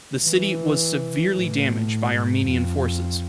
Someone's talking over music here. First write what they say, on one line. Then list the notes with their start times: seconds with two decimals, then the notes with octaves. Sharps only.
The city was severely damaged by Armenian forces.
0.24 E3
1.36 A2
2.10 G#2
2.47 F2